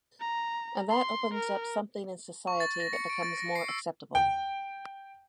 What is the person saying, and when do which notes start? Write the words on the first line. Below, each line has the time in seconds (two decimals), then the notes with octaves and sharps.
And that opens up something in society that becomes more acceptable.
0.21 A#5
0.89 C6
1.34 A#4
2.47 C#6
2.60 A6
2.80 A#6
2.93 C#7
3.10 D7
3.23 A6
3.37 A#6
3.55 C7
3.68 E6
4.15 G5